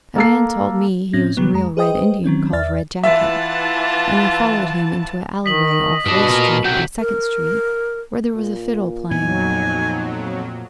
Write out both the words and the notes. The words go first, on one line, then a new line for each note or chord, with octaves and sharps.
A man told me he was a real Red Indian called Red Jacket, and I followed him into an alley-way off Race Street by Second Street, where there was a fiddle playing.
A#3 A4 C7
A2 C4 C#4 A#6
C3 D#3 E3 F#3 G3 B3
F2 G#3 A#5
G#4 B4 C5 D#5 G5 D#6
D#3 F#3 C4 C#4
E2 D5 E5 F6 A6
E3 F4 E5 F#5 A5
D#3 D#5 B6 F#7
G2 B2 D4
A#2 A#4
C2 F#3 G5
A#4
A#2
F2 A#2 F#3 B3 D#4 G#5